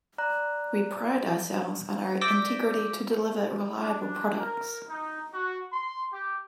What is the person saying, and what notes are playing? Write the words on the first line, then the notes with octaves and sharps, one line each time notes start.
We pride ourselves on our integrity to deliver reliable products.
D5 A#5 F#6
D5 E5 D6 G6 A#6 B6
D4
A#4
D#4
F#4
C6
G4